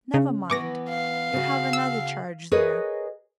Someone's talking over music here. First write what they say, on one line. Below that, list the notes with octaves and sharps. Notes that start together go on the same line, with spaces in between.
Never mind, you have another charge there.
C#3
E3 B3 B4 C#6 D6 A#6
F5
C#3 F#4
E6
G#4 A#4 B4 C#5 D#5